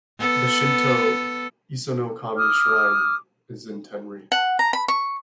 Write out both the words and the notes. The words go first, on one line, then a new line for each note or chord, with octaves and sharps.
The Shinto Isonokami Shrine is in Tenri.
B3 A4
D6 D#6 F6
F#5
A#5
B5
C#6